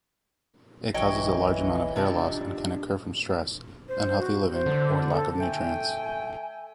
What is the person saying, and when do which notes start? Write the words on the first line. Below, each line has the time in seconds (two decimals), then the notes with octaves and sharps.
It causes a large amount of hair loss and can occur from stress, unhealthy living or lack of nutrients.
0.94 A#1 E3 F#3 C#5 D#5 G5
1.44 B1
1.96 C3 F3 G3 D4
3.88 C5
4.19 F#4
4.52 C5
4.66 D3
5.12 A4
5.40 A3 G5 G#5